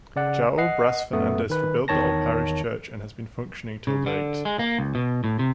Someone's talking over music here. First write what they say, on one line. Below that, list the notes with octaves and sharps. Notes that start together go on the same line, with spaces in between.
Joao Bras Fernandes rebuilt the old parish Church and has been functioning till date.
C#3 D5 F#5
D#5 F#5 C7
F#2 A3 B3 D#6
D#3 B4
E2 D#3 C#5 A5 A#6
C#3
D3
G#3
A#3
C#2
B2
A2
C3